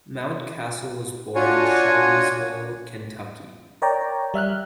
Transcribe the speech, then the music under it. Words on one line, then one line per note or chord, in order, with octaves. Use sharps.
Mountcastle was born in Shelbyville, Kentucky.
D4 F4 F#4 C#5 G#5
A#4 C#5 D5 G5 A#5
G3 E5 F6 F#6